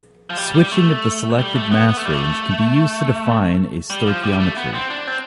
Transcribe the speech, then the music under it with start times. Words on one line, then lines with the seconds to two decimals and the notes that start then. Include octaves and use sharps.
Switching of the selected mass range can be used to define a stoichiometry.
0.30 F3
0.37 G3
0.55 G3
0.72 A3
1.39 G3
1.55 A3
1.72 B3
1.89 B3
1.97 A3
2.05 G3
2.13 A3
3.90 G3
4.07 F3
4.24 G3
4.40 A3
4.57 B3
4.74 C4
4.90 D4
5.07 C4